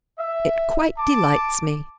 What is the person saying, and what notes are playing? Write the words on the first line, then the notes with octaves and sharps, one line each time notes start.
It quite delights me.
E5
A5 D6